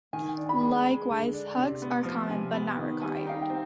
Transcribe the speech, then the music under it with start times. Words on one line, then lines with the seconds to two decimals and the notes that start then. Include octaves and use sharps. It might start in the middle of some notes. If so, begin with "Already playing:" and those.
Likewise, hugs are common but not required.
0.13 D#3 G#5
0.37 D4
0.49 B5
0.61 G#3
0.86 G#3
1.10 D3
1.33 D4
1.57 C3
1.82 B3
2.05 F3
2.29 C3 G#5
2.53 B3
2.77 D#3
3.02 G3 G#5
3.15 G5
3.26 D#4 F5
3.42 G5
3.50 C4